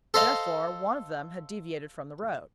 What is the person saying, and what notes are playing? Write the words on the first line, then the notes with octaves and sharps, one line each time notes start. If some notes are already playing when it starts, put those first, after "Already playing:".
Therefore, one of them had deviated from the road.
A4 C5 D#5 F5